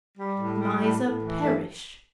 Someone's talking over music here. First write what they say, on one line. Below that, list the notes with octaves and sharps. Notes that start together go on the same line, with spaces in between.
Miser, perish!'
G3
A2
G3
A2
A2
E3
G2 A3